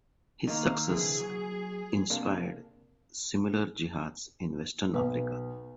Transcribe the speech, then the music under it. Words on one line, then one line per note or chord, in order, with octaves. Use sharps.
His success inspired similar jihads in Western Africa.
D#3 A#3 D#4
C2 D3 E3 G#4
F#3
C3 A#3 D4
B1 B4